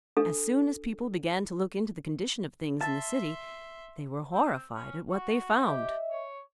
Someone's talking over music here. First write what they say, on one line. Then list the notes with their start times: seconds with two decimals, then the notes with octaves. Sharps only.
As soon as people began to look into the condition of things in the city they were horrified at what they found.
0.17 D4 A4
2.81 E5 A5 C6
4.33 C4
4.75 C#4
5.11 F#4
5.65 G4 D#5 E5
6.11 C#5